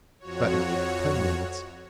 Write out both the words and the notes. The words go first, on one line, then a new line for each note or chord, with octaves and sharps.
That made ten minutes.
F2 F#4 C#5